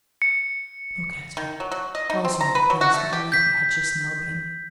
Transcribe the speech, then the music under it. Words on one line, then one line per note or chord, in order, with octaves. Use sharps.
I look at her, also at the place where the letter had just now been.
C#7
D#3
F#3
F#3
D#5
D#4
C4
A#5
B4
F#3
F#4
A3
G4
G6 B6